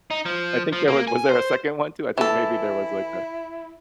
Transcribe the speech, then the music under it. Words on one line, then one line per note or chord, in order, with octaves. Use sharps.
I think there was was there a second one too? I think maybe there was, like, a
D#4
F3
F3
A#3
G#5
C5
E3 E4 A4